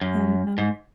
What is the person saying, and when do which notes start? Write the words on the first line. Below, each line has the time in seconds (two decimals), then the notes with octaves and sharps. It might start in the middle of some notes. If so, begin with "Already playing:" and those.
and, um
0.01 F#2
0.58 G#2